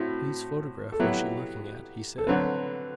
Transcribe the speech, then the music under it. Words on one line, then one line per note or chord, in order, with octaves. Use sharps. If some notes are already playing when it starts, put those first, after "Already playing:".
"Whose photograph was she looking at?" he said.
Already playing: A2 C4 E4 F#4
A4
F#3 B3 E4 G4
A4
D3 F#3 C4 B4